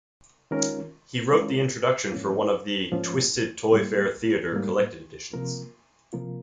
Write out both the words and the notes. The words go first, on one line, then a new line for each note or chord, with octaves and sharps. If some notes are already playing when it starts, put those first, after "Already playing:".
He wrote the introduction for one of the "Twisted ToyFare Theatre" collected editions.
D#3 G#3 C#4 F4 A#4
D#3 G#3 C#4 F4 A#4
G#2 F3 A#3 C#4 F4
G#2 F3 A#3 C#4 F4
G#2 G3 A#3
G#2 G3 A#3
C3 F3 A#3 F4 A#4
C3 F3 A#3 F4 A#4